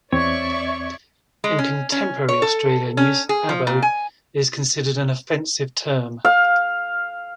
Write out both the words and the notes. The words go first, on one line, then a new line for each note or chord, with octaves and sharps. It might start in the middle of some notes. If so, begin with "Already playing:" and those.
In contemporary Australian use 'Abo' is considered an offensive term.
E2 C4 C#5 D5 E5 C#6
G#3
C#4
C#4
C#5
A4
C#4
G#4
F3
A#2
G#5
F5